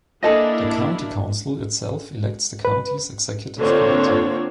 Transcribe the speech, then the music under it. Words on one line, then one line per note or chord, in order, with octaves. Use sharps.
The county council itself elects the county's executive committee.
A#3 D4 E4 G#4 A4 D#5
B4
D3 A#3 C4 D4 F4 C#5